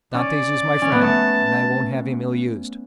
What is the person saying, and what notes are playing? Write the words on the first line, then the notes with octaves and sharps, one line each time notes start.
"Dantes is my friend, and I won't have him ill-used."
C#4 D5
C#4
B3
A3 A5